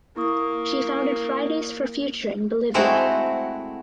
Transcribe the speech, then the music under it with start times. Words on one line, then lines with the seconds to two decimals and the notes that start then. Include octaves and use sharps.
She founded Fridays For Future in Bolivia.
0.16 A#3 E4 C#6 D#6
2.74 G#3 A3 C4 E4 F#4